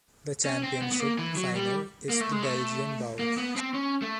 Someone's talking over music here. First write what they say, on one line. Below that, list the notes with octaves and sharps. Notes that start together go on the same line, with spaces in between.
The championship final is the Belgian Bowl.
C#4
C4
B3
B3
A#3
E3
F#3
G3
A#3
A3
G#3
A3
A#3
B3
C4
C#4
A3